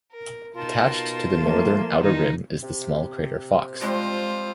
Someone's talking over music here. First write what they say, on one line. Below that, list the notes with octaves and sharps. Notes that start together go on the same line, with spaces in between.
Attached to the northern outer rim is the small crater Fox.
A#4
B2 D#4 F4 A#4 A5 C6
F3 A3 A#3
D#3 G3 D#4
C3
F3 G3 G#3 C4 F4 C5